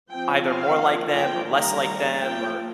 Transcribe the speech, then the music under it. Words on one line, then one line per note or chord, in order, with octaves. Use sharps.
either more like them or less like them or,
F3 C4 G5
F5
F3 A#3
G5
D#3 G3 A#3 A#5
F3 A#3 G5